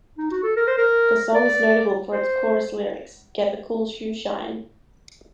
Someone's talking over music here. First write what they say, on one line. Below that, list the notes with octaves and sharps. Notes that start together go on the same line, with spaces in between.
The song is notable for its chorus lyrics 'get the cool shoeshine'.
D#4
F#4
A4
A#4
C5
A#4
D5
C5